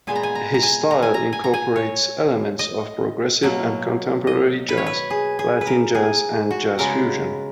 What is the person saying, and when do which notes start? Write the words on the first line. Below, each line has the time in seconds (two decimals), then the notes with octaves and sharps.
His style incorporates elements of progressive and contemporary jazz, Latin jazz, and jazz fusion.
0.07 A#2 G#3 B3 G#5
0.15 A#5
0.23 G#5
0.35 A#5
0.54 A#5
0.63 G#5
0.91 A#5
1.02 G#5
1.14 A#5
1.33 G#5
1.44 A#5
1.54 G#5
1.76 C#5
2.59 D#5
3.43 B2 F#3 A#3
4.27 D#5
4.69 B4
4.78 C#5
4.86 B4
5.10 G#4
5.39 G#4
5.61 B4
5.67 A#4
5.95 G#4
6.51 F#4
6.79 C#3 G#3 B3 A#4